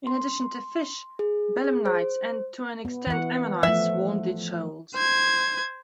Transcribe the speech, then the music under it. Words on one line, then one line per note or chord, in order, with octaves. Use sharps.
In addition to fish, belemnites and to an extent ammonites swarmed in shoals.
C6
G#4
G#4
C5
B3
E3 F#5
F3 A3 E5
C5 G#6